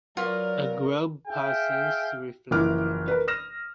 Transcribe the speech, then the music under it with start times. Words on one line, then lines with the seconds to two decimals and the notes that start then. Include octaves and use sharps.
A Grubb Parsons reflector.
0.17 F#3 F4 A#4 B4 D5
1.28 G#4 E5 F5 G5
2.51 F#1 E3 F3 E4 D6 F6
3.08 A#4 B4
3.28 D#6 F6 A#6 E7